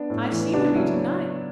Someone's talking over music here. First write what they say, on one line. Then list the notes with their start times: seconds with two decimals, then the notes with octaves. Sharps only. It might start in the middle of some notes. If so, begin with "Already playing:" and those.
'I seem to be to-night.
Already playing: B3 D4
0.10 A2
0.32 E3
0.53 C#3 B3 D4
0.75 F#3 C#4 E4